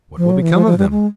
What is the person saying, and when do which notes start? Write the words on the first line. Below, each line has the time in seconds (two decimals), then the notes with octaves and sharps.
What will become of them?
0.17 F3
0.30 F#3
0.42 E3
0.54 F3
0.66 F3
0.78 G3
0.90 G#3